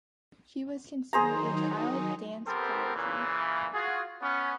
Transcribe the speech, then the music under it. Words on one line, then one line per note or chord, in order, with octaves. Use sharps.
She was considered a child dance prodigy.
D#3 F#3 D#4 G#4 C5 A#5
B3 C4 G4 A4 A#4 C5
A#2 C#3 E3
F4 F#4 G#4
B3 C#4